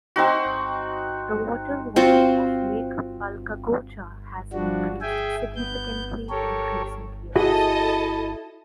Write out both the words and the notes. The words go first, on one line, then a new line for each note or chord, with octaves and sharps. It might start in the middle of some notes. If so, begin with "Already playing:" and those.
The water volume of Lake Palcacocha has increased significantly in recent years.
C4 D#4 F#4
C4 F4 F#4
F3 G3 D4 F#4
G#4 E5 G5 G#5
B3 G6
G4 A4 A#4 C#5
E4 F#4 G#4 A4 D#5 A5